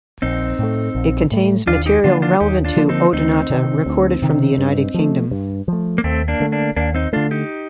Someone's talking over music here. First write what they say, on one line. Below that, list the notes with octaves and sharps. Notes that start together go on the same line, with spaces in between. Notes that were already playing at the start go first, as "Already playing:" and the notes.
It contains material relevant to Odonata recorded from the United Kingdom.
A#1 C4 D#4
A2 A3
A#1
A2 A3
D#2 D4 F4
D#4 G4
D3 F3 A#3 D4 F4
D4 F4
D#2 D#4 G4
D4 F4
D3 F3 A#3
C4 D#4
D2 C4 D#4
C3 D#3
D2
C3 D#3
G2
F3 A3
G2
F3 A3
A#3
D#2 A3 C4
A#3 D4
D3 A3
A#3 D4
D#2 A#3 D4
C4 D#4
D3 A3 D4 F4
D#4 G4